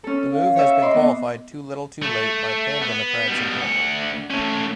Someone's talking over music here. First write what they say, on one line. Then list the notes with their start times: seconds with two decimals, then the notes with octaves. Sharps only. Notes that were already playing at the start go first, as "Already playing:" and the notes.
The move has been qualified "Too little, too late" by pan-democrats in general.
0.04 C#4 A4
0.32 F5
0.56 C#5 E5
0.82 D#5 B5 C6 D6
0.94 B3
2.02 A3
2.81 B3
3.28 B2 G3
3.60 D2 F#5
4.31 A3 C#4